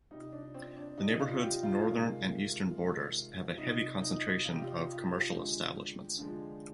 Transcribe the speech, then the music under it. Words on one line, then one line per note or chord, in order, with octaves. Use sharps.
The neighborhood's northern and eastern borders have a heavy concentration of commercial establishments.
C3 G3 D#4
D4
C4
D4
C3 G3 D#4
F4
G4
F4
C3 D#3 G#3
C3 D#3 G#3
C3 G3 D#4
D#4
C3 G3 F4
G4
F4
G4
F4
G4
D3 F3 G#3
D3 F3 G#3